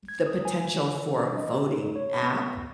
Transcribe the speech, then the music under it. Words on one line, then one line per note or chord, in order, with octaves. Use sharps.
the potential for a voting app,
G#6
D#6
G#5
E3
D4
D#5
G4
D#4
C#5
B3